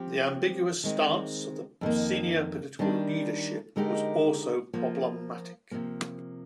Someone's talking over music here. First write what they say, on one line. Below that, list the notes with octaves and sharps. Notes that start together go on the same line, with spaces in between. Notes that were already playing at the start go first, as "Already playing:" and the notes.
The ambiguous stance of the senior political leadership was also problematic.
Already playing: F3 C4 G4
D#3 G#3 C4
F2 D#3 A#3
D#3 G3 D4
D3 G#3 D#4 G4 A#4
F3 A#3 F4
C3 F3 A#3